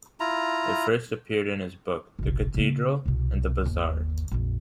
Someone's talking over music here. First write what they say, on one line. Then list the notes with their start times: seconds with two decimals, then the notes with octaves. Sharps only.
It first appeared in his book "The Cathedral and the Bazaar".
0.20 E4 F4 A#5
2.19 F#1 B1
2.54 C#3 A#3
3.06 C2 B2
3.65 G1 D#2
4.31 A#1 F2